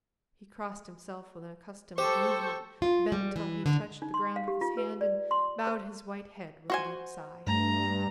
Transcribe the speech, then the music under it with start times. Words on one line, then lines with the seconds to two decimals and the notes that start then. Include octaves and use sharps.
He crossed himself with an accustomed movement, bent till he touched the ground with his hand, and bowed his white head with a deep sigh.
1.98 G4 A4 C5 C#6
2.82 F4
3.12 G3
3.36 E3
3.66 D3
4.02 D#4
4.14 C6
4.36 F5
4.48 G4
4.61 F4
4.77 B4
5.01 D5
5.31 C6
5.67 C5
6.70 F#4 C5 G#5
7.47 G2 A3 A#5